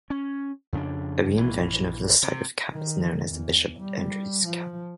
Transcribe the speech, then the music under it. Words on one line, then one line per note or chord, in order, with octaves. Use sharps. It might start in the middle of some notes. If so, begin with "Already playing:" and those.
A reinvention of this type of cap is known as the Bishop Andrewes cap.
C#4
F2 C#3 C#4 D4
A#1 E3
C3
D#3
E2
G3
F3